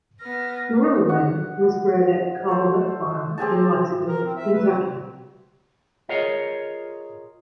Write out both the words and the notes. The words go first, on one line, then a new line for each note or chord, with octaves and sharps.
Whirlaway was bred at Calumet Farm in Lexington, Kentucky.
B3 F6 A#6
F#5
A4 C5
C4 G4 G#4 A5
A#4
C4
E5
B4
C4
F4 G#4 A#4 C#5 D#5